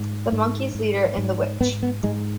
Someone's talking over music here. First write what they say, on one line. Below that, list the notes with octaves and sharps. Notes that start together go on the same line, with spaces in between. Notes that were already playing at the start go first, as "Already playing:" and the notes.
The Monkey's leader and the Witch.
Already playing: G#2
G#2
G#2
G#2
G#2 B3
B3
G#2 G#3